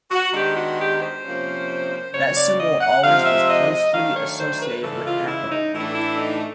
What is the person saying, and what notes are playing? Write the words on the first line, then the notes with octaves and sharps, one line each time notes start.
That symbol always was closely associated with Hathor.
F#4
D#3 G#3 B3 D4 G4
F#4
G4
C5
C3 F3 A#3 C#4
C#3 F#3 A#3 C#5
D5
D#5
F#5
C3 F3 G#3 F5
E5
D#5
D#5
D#3 F#3 A3 D4 F5
C#5
C5
B4
C#3 E3 G#3 C#4 A4
F4
E4
D#4
A2 E3 A3 D4 E4
E4
D#4